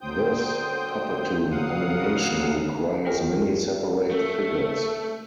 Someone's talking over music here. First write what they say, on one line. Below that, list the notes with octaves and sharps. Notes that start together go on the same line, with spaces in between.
Thus puppetoon animation requires many separate figures.
D3 F#3 C5 G5 D#6 G6
C#3 F#3 F5 F#5 D#6
F4 G#4 A#4 G5 G#5 F6
A3